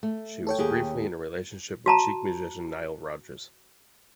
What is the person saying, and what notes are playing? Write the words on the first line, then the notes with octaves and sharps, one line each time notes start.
She was briefly in a relationship with Chic musician Nile Rodgers.
A3
A4 C#5 G5
D#2 G4 G#4
F#4 A5 A#5